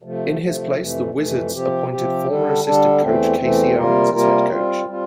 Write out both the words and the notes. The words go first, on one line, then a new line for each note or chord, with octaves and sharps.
In his place, the Wizards appointed former assistant coach Casey Owens as head coach.
C3 F3 A3
C3 F3 A3
F2 C3 E3 A3
F2 C3 E3 A3
C3 F3 C4 G4
C3 F3 C4 G4
D3 G3 D4 A4
D3 G3 D4 A4
E2 E3 A3 C4
E2 E3 A3 C4
C3 G3 A#3 F4 A#4
C3 G3 A#3 F4 A#4
G3 C4 F4
G3 C4 F4